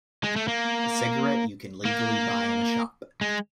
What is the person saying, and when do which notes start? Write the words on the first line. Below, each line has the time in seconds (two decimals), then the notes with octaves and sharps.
A cigarette you can legally buy in a shop!
0.24 G#3
0.36 A3
0.48 A#3
1.85 A#3
3.21 G#3